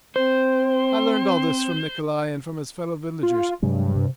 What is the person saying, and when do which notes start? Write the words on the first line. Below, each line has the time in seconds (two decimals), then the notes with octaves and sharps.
I learnt all this from Nikolay and from his fellow villagers.
0.16 C4 C5
3.23 F4
3.62 G2 C3 F#3 G#3
3.95 C3